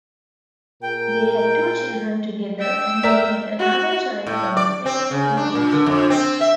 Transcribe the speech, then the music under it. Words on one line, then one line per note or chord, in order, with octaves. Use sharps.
They had two children together and he had another child from a previous relationship.
A#2 G#4 A#4 G5
G5 E6
A#4 D5 E5
F#4
A2
D5
C4
C#3
D4
A#2
D3
F2
C4
E5